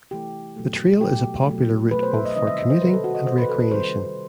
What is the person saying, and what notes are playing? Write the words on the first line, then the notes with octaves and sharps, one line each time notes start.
The trail is a popular route both for commuting and recreation.
C3 E3 A3 G4
B2 F#3 A3
B2 F#3 A3 G4
B2 F#3 A3
B2 F#3 A3 B4
C5
E5
D#5
C3 D#3 G3 D#5
E5
D#5
C5
C3 D#3 G3 B4
A4
F#4
D#5
C3 D#3 G3 C5
B4
A4
B4
C3 D#3 G3 C5